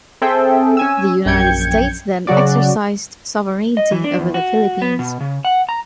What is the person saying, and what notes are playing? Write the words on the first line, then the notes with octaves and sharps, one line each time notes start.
The United States then exercised sovereignty over the Philippines.
C4 G#4 A4 E5 G5
C#4 G#5 E6
A#1 F#2 G5 G6 G#6 C#7
C#3 F#3 F#4 D5
D#5
E3
D4
E2
F#4
B3
B2
C#3
F#5
A#5